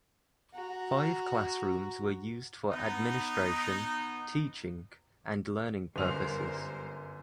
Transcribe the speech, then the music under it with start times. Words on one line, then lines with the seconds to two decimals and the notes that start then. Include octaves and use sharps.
Five classrooms were used for administration, teaching and learning purposes.
0.54 F#4 A#5
2.72 B3 D#4
5.96 G1 F#2 G3 A#4 C5 F7